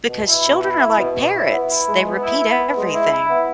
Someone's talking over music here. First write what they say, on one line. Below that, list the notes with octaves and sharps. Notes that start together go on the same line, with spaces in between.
Because children are, like, parrots, they repeat everything.
B2
E4
B2
E4
E4
B2
B2
E4
B3
E4
G#3
B3
E4
E4
B3
G#3
E4
E4
B3